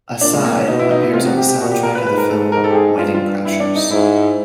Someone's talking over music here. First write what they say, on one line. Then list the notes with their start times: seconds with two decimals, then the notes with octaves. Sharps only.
"Aside" appears on the soundtrack of the film "Wedding Crashers".
0.21 A#2 D4
0.33 G#3
0.45 A#3
0.56 C#4
0.68 B2 D#4
0.79 E4
0.91 D#4
1.02 E4
1.13 C3 F4
1.26 F#4
1.37 G4
1.48 G4
1.60 A#2 F#4
1.71 G4
1.83 A#4
1.95 B4
2.06 G#2 B4
2.18 A#4
2.29 A4
2.41 A4
2.52 G#2 A#4
2.64 A4
2.70 G4
2.75 G#4
2.98 G2 F4
3.14 F4
3.45 E4
3.60 D4
3.76 D#4
3.91 G#2 E4